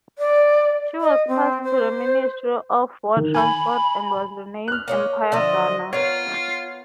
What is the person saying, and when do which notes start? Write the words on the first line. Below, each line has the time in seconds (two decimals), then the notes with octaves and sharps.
She was passed to the Ministry of War Transport and was renamed "Empire Garner".
0.19 D5
1.01 D#5
1.28 C4
1.64 C5
3.17 D#3
3.35 G#5 B5
4.68 F6 F#6
4.88 A#3 C#5 D#5
5.32 D3 F3 E4 D#5
5.93 B3 F4 A#4 C#5